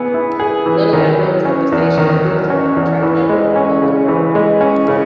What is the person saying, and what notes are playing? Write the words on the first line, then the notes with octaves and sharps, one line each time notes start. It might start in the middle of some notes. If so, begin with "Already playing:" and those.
Little evidence of the station is visible at track level, above the road.
Already playing: E3 B3 G#4
E4
G#4
E3
D#3
F#3
C#4
E2
D#3
F#3
C#4
E2
E3
G#3
C#4
C#3
E3
G#3
C#4
C#3